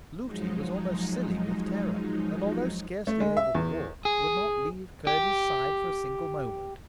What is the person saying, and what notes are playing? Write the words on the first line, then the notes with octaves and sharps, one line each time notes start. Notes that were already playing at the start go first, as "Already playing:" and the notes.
Lootie was almost silly with terror, and, although scarcely able to walk would not leave Curdie's side for a single moment.
F3 F#3 G#3 D#4
A3
G#3
E5
E2
G#4
G4